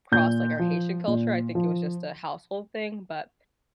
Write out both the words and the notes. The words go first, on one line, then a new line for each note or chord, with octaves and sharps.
across, like, our Haitian culture. I think it was just a household thing but,
A#2 G6
F3
A#2
F3